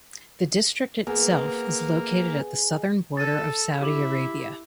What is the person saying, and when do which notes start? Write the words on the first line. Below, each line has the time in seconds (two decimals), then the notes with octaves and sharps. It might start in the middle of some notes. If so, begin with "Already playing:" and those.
The district itself is located at the southern border of Saudi Arabia.
1.07 A#3 B3 G#4
3.17 A4 A6 D#7
3.81 E4 G4 D6 F#7